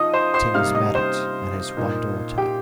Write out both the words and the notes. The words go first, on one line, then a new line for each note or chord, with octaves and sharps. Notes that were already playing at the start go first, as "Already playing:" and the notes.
Timm is married and has one daughter.
Already playing: F3 D#4 D#5 D#6
C5 C6
C5 C6
C3 G3 A#3 D#4 F5 F6
D#5 D#6
C5 C6
A#2 A#3 D#4
G4 G5